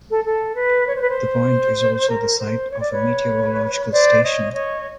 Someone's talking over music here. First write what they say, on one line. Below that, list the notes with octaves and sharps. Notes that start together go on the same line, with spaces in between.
The point is also the site of a meteorological station.
A4
A4
B4
C#5
C5
B4
C5
A#4
C5
C#5
D5
B4 C#5
C5 D5
C#5 D#5
C#5 D#5